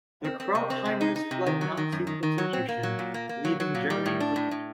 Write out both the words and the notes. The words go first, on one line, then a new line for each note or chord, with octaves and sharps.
The Krautheimers fled Nazi persecution, leaving Germany for good.
C4
C4
C3
C4
C3
D#4
D#4
C3
D#3
F#3
D#3
F#2
D#3
D#3
F#3
C4
A#3
F#3
A#2
A#3
A#3
F#3
F#3
A#2
G3
A2
D4
A2
A2